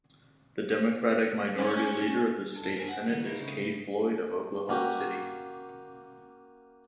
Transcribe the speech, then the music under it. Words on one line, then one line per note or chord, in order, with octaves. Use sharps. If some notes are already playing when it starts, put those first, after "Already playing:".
The Democratic minority leader of the state senate is Kay Floyd of Oklahoma City.
C#4
F#2 A4
A#4 C5 G#5
F#5
C#2 D#3 G3 A3 B3
A#3 D#4 E4
C#3 G#3 C4 E4
A#3 C#4 F#4 G4